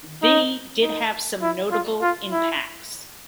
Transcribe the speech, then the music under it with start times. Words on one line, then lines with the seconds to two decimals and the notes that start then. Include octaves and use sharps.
V did have some notable impacts.
0.23 D#4
0.82 D#4
1.42 E4
1.72 F4
2.02 F4
2.32 E4